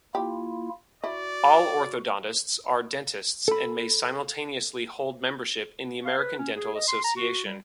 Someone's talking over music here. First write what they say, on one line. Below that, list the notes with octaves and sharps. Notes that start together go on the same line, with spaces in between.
All orthodontists are dentists and may simultaneously hold membership in the American Dental Association.
A#3 E4 F4 G4
E4 F#4 D5
A4 B5
F5
B4
C#4
G#4
D#5
C6
A#5
F#4
G3